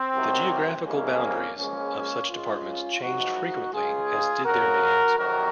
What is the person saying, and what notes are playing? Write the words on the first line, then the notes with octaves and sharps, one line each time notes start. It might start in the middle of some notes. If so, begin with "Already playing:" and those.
The geographical boundaries of such departments changed frequently, as did their names.
Already playing: C4
C2 C3 D#3 F#3
C2 C3 D#3 G#3 A#3 C#4
C#2 C#3 F3 G#3 A#3 C#4
C#2 C#3 G#3 C#4 F4
F#2 F3 G#3 D#4 F#4
C#2 C#3 G#3 F4 G#4
F2 C#3 F#3 F#4 A#4
F2 C3 D#3 F#3 F#4 A#4